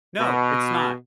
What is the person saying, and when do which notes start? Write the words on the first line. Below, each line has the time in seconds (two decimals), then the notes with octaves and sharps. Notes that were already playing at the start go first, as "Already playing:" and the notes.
No, it's not.
0.20 B2